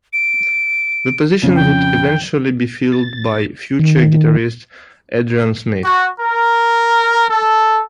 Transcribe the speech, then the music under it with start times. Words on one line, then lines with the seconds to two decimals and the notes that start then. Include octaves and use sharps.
The position would eventually be filled by future guitarist Adrian Smith.
0.13 D7
1.42 F2 C#3
1.56 G5
2.92 A6
3.79 D#3
5.84 F#4
6.20 A#4
7.29 A4